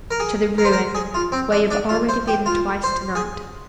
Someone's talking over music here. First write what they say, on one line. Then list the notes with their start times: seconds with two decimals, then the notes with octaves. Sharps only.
"To the ruin, where you have already been twice to-night."
0.11 A#4
0.20 G#4
0.58 A#4
0.65 C5
0.73 A#4
0.95 G#4
1.14 F4
1.32 C4
1.52 D4
1.71 D4
1.89 F4
2.09 C5
2.28 G4
2.46 F4
2.84 C5
3.15 G#4